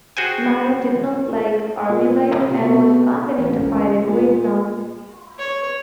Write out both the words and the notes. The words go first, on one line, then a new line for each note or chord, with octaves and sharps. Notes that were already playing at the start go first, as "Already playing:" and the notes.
Marrow did not like Army life and was unwilling to fight in Vietnam.
F#4 G#4 C5 G5 G#5
A#2
C3
B2
A1
C#2
A#2
C#5